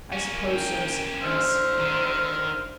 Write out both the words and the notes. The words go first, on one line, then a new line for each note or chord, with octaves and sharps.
"I suppose so," said Chris.
A#3 C#4
G5
D3 C5 E5 F6
D#3